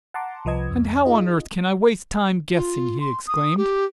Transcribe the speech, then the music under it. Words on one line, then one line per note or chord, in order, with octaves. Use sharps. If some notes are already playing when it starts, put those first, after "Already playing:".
"And how on earth can I waste time guessing?" he exclaimed.
F#5 A5 A#5 C6 D6
C2 F3 B4 D#5 G#6
F2
D#4 F4 G#4 D#5
F4
C6
D#6
G4